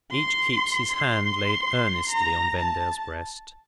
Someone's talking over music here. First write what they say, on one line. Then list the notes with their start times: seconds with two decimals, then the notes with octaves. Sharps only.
Each keeps his hand laid earnestly on Vendale's breast.
0.11 C6
1.10 C6
2.10 A#5
2.59 A5